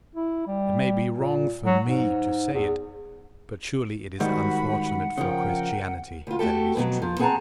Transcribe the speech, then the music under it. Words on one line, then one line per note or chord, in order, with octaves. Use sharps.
It may be wrong for me to say it, but surely it is unfortunate for Christianity that it is true.
E4
G3
A#2
F#3
G#2
E2
G#2 D#3 G3 F#4 F#5 B5
C#3 F3 A#4 G5
D2 F4
A3 F#4 G4 A4
F2 B2 F3 F#3
F3
C4 G#4 F#5 G5 A5 A#5